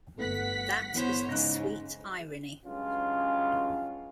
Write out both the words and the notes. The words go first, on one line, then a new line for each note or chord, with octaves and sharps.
That is the sweet irony.
G1 A3 B3 F#5 B6
E3 B3 C5 C#5
G#2 C#3 F#6 A#6
G2 C#3 F#3 G#3 C#4 F4